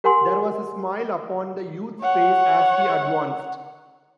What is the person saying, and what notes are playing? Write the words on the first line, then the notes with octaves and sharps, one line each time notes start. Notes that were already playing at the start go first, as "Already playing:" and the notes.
There was a smile upon the youth’s face as he advanced.
G4 A#4 F#5 G#5 C6
C#5 F#5